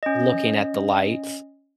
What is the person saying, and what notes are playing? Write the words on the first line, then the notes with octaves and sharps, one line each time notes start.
looking at the lights
C#4 D#5